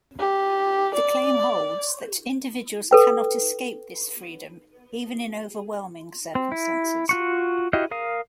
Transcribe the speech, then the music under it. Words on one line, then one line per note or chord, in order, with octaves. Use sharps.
The claim holds that individuals cannot escape this freedom, even in overwhelming circumstances.
G4
D5
A4 B4 G5
C4
E4
F4 F#4 C#6
E4 F#4 G4 D#5 F5
A#4 F5 D#6